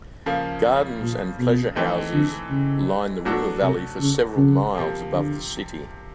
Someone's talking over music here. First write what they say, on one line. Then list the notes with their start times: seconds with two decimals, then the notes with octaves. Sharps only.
Gardens and pleasure houses line the river valley for several miles above the city.
0.26 C#3 F3 A#3
1.01 A#2
1.39 B2
1.76 E3 A3 C4 D#4
2.13 D3
2.50 C#3
3.25 F#3 A3 D4 F#4 A4
3.62 C3
4.00 C#3
4.37 C#3
4.75 C3 F3 A#3
5.12 D3